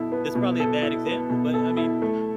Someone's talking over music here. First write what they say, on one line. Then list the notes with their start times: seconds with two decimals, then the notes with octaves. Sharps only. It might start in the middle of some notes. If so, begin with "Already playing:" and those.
it's probably a bad example, but, I mean,
Already playing: B2 E4 A4
0.12 B3
0.35 B2
0.60 A4
0.82 E4
1.06 B3
1.30 B2
1.54 A4
1.77 E4
2.02 A3